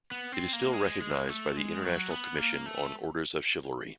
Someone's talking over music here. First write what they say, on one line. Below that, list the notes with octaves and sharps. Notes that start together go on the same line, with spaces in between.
It is still recognised by the International Commission on Orders of Chivalry.
B3
C4
A#3
G#3
G#3
A3
G#3
F#3
B3
A#3
A3